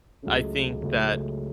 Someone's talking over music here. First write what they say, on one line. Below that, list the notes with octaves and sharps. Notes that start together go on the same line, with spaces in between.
I think that,
C#2 C#3 F#3 A3 C#4
C#2 C#3 F#3 A3 C#4